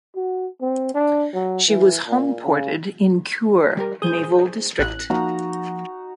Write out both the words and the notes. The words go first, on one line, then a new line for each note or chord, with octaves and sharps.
She was homeported in Kure Naval District.
F#4
C4
D4
F#3
E3
A#2
C#3
G3 G4 A#4
G#4 C5 G#5 D#6 G6
A1 F#6
F3 A#3 D#4 F#4 A#5